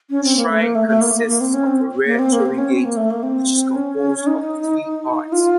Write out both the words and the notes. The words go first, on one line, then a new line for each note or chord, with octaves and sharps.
The shrine consists of a rare tori gate which is composed of three parts.
C#4
C4
A#3
A3
A#3
A3
A3
A#3
A#3
A#3
C4
C#4
C4
A#3
C4
A#3
C4
C#4
C4
A#3
A3
A#3
C4
C#4
D#4
F4